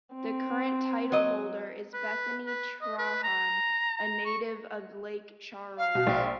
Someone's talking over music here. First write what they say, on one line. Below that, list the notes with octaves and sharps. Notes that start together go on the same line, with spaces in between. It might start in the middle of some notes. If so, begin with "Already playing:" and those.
The current titleholder is Bethany Trahan, a native of Lake Charles.
C4
F#3 D#5
B4
B4
D#5
B4
A#5
A#5
C#6
F5
B2
A#1